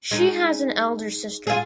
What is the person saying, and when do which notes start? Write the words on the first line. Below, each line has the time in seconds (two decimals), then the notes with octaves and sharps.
She has an elder sister.
0.11 G#3 D#4
1.47 F4 G#4